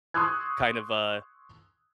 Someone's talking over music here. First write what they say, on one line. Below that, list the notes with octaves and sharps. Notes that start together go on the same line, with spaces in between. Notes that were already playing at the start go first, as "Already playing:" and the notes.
kind of, uh,
C6 C#6 D#6 E6 F#6 G#6